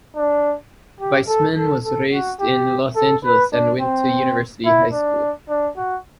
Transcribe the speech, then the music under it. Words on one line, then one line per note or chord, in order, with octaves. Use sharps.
Weissman was raised in Los Angeles and went to University High School.
D4
G4
A4
A4
A4
F#4
G4
A4
B4
D4
C4
E4
D4
D4
F#4